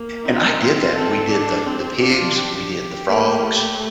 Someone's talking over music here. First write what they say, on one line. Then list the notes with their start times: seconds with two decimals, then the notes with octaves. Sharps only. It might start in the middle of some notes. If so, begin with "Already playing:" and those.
and I did that. We did the the pigs, we did the frogs
Already playing: A#3
0.25 C4 D#4
0.61 F4
0.96 C4 A4
1.31 D4
1.66 C4
2.01 D4 F4
2.36 G4
3.08 A#3
3.43 A3 G4